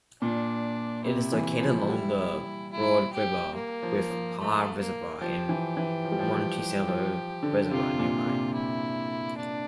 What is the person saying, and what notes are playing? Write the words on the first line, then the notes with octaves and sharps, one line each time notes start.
It is located along the Broad River, with Parr Reservoir and Monticello Reservoir nearby.
A#2 D4
C3 E4
E3
F3
G3
E4
G4
A#3
F3
F3
A3
A#3
F3 G4
E3
E3
F3
G3
F3
F3
D3
C3 F4
A#2
C3
E4
D4